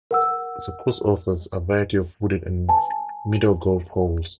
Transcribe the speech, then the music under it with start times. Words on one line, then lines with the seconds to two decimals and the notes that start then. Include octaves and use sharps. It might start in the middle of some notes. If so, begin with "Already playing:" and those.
The course offers a variety of wooded and meadow golf holes.
0.11 A#4 F#5 E6
2.69 G#5 A5